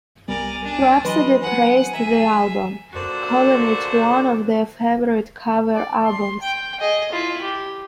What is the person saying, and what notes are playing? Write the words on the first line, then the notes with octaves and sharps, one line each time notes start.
Rhapsody praised the album, calling it one of their favorite cover albums.
C2 G3 B3 A#4 D5 G#5
D4
E3 F#3 B4 D#5 B5 C6
F#5 G#5
G#4 E5 A#5
A#2 D3 D4 F#4 A4 C5
D5
C6
G5
G#4 D#5
E4 F4
G4